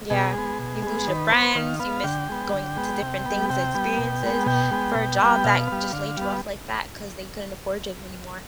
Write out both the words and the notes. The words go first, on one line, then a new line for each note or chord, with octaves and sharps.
Yeah. You lose your friends, you miss going to different things experiences for a job that just laid you off like that 'cause they couldn't afford you anymore.
B2 G#4
G#3 B3
B2
G#3 B3
D#3 B4
B3 C5
D#3 F5
B3 F5
D3 G5
G#3 B3
D3
G#3 B3
C3
G3 B3
C3 G5
G3 B3
B2
G#3 B3
B2 G5
G#3 B3
B2
G3 B3
B2 F5
G3 B3
D3
G3 B3